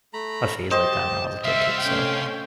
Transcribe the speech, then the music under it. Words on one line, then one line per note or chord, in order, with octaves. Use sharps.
a phase like that when I was a kid too so,
A3 A#5 B5
G4 C5 D#5 A5
C2 G3 E5 F5 C6
C3 A3 C#4 G5